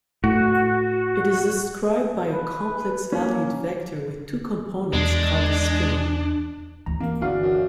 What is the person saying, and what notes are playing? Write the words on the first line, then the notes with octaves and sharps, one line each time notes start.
It is described by a complex-valued vector with two components called a spinor.
A2 F#4
B4
A#3 C#4
E2 G#3 D4
D2 E3 A#5
E3 A#3 C#4
G1 E2 E3 D4 F#4 F5
F#2